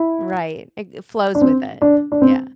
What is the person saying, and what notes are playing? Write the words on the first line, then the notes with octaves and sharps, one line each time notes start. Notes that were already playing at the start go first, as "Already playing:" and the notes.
Right. Like, flows with it, yeah.
Already playing: E4
D4
C4
D4
D4
C4